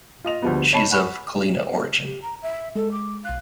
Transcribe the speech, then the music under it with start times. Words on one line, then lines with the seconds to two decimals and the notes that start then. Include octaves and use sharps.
She is of Kalina origin.
0.24 F4 D#5 F7
0.42 D2 D3 F3 G3 B3
0.73 C#5 D#5 A5 B5
0.91 F#5 G#5 B5 C#6
2.06 G4
2.22 A#5
2.42 E5
2.75 G#3 A4
2.92 D6
3.25 B1 F5 F#6